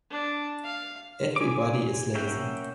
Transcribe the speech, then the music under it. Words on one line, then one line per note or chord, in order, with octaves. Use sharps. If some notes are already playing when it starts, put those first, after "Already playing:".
Everybody is lazy!
D4
F5
G#5 D6
A#3 C#4 E5 F#5 G5